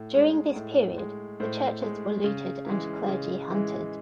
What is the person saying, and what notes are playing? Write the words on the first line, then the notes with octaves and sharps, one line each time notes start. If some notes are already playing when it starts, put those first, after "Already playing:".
During this period, the churches were looted and clergy hunted.
Already playing: A2
G#3
A2
G#3
A2 C5
G#3
C#3
E3 G#3
C#3
E3 G#3